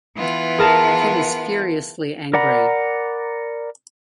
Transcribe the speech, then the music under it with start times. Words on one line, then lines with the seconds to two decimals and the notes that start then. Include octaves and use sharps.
He was furiously angry.
0.16 E3 B3 F4
0.58 G#4 A#4 A5
2.33 A#4 D5 F#5 A#5 B5